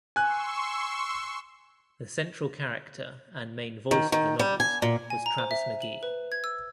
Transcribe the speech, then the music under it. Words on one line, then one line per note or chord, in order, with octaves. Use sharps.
The central character and main voice of the novels was Travis McGee.
G#5 C6 C#6 E6 F#6
D#3
D#3
G3
G#5
A#2
G#5
A#5
C5
E5
F#7
B4
G#6
E6